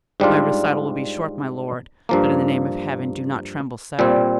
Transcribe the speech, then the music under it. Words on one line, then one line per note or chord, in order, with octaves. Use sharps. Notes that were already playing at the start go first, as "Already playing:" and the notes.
"My recital will be short, my lord; but in the name of Heaven do not tremble so."
G#2 G3 D4 F4
G2 F3 A#3
A#2 G3 C4